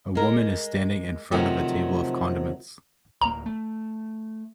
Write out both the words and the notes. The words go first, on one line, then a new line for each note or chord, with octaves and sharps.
A woman is standing in front of a table of condiments.
G#3 A#4
C3 D#3 F3 F#3 A3
D1 A#3 A#5
A3